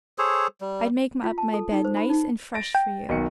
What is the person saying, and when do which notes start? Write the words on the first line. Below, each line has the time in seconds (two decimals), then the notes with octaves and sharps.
I'd make up my bed nice and fresh for you.
0.18 G#4 A4 C5 C#5
0.61 G3
1.24 F4
1.38 A5
1.54 A4
1.71 D#4
1.85 C5
1.97 B5
2.10 D#4
2.54 A6 A#6 D7
2.75 G5
3.09 B1 D#3 C#7